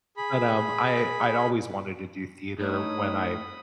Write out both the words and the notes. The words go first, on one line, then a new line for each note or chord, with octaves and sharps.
but, um, I I'd always wanted to do theater when I
G#4 B5
A2 D#4 C#5 B5 D#6